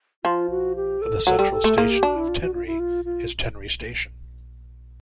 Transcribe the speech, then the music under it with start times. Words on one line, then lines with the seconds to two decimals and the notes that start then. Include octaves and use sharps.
The central station of Tenri is Tenri Station.
0.24 F3 F4
0.50 F#4
0.76 G4
1.02 A4
1.27 F#3 A4
1.39 G3
1.52 A4
1.64 A3
1.77 A#3 G#4
1.90 G4
2.03 D4 F#4
2.16 E4
2.28 F4
2.41 F#4
2.54 F4
2.66 E4
2.79 F4
3.05 F4